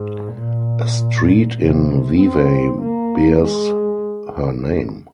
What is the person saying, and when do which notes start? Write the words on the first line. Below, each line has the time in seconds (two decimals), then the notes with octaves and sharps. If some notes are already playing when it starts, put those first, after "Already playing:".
A street in Vevey bears her name.
Already playing: G#2
0.33 A#2
1.58 C3
2.19 C4
2.81 A#3
3.43 G#3